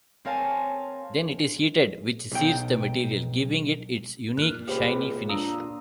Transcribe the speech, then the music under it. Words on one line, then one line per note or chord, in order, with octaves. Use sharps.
Then it is heated, which sears the material, giving it its unique shiny finish.
C4 A#4 C#5 F5 G#5 A5
B1 G5
A#2 F6 F#6
C#2 G4 C5 B5
D4 F4 A#5 D#6 E6